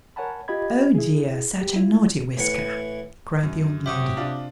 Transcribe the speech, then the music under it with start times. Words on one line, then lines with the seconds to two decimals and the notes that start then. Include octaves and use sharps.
'Oh dear, such a naughty Whisker!' cried the old lady.
0.16 A#4 C#5 F#5 G#5 A5 B5
0.48 F4 G4 D#5 B5 G#6
0.95 E4 G#4
1.61 G4
1.76 E4 F4
2.37 A2 E3 F#5
3.43 F#2
3.86 C3 F#3 F#4 G4 E5 D6 D#6
4.17 D4 F4